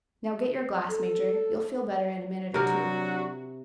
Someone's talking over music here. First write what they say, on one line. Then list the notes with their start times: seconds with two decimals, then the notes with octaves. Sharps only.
"Now get your glass, Major. You'll feel better in a minute or two."
0.90 A4
2.54 C3 F#3 D4 F#4 A#4